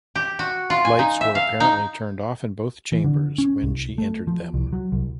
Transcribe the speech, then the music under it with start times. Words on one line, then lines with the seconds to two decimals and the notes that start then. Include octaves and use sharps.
Lights were apparently turned off in both chambers when she entered them.
0.16 G4
0.39 F#4
0.70 F4
0.85 G#5
0.99 D#4
1.21 E5
1.35 F5
1.60 D#4
2.92 E3
3.04 D3
3.38 C#4
3.62 C2
3.98 A3
4.27 F3
4.54 C2
4.73 F#3
4.92 C2